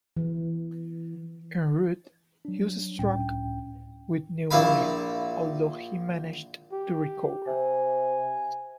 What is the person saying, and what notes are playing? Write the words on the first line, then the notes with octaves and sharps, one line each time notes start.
En route he was struck with pneumonia, although he managed to recover.
E3
F#3 D4
C#2 A2 C#4 G5
A#1 E4 E5 F5 B5
G4
C3 G#5